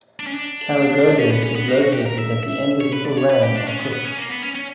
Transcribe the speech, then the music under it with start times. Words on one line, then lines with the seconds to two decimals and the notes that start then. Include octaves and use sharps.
Kharaghoda is located at the end of Little Rann of Kutch.
0.19 D4
0.27 C#4
0.34 D4
1.19 C#4
1.31 B3
1.44 C#4
1.56 B3
1.68 A#3
1.81 F#4
1.93 G4
2.06 A#4
2.18 E5
2.43 E5
2.81 C#5
2.93 B4
3.05 D5
3.18 C#5
3.30 B4
3.42 G4
3.55 D4
3.68 C#4
3.80 B3
3.93 B3
4.05 C#4
4.17 A#3
4.29 B3
4.42 C#4
4.55 C#4